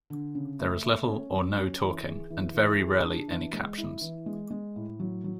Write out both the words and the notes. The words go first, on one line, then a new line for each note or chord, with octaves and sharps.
There is little or no talking, and very rarely any captions.
D3
C#3
A3
A3
C#4
F#3
C#4
E3
G#4
E3
E3
G#4
D4
E3
G#3
E4
E3
G#3
G#3
A2
F#3
F#3